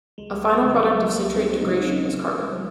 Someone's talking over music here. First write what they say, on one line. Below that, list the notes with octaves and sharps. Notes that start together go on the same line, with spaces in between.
A final product of citrate degradation is carbon.
C#2 G#3
C#3 F#3 G#3
A#3
G#3
C#2 A#3
G#3 C4
C#3 F#3 C4 D#4
C#4 F4
A#1
F3 G#3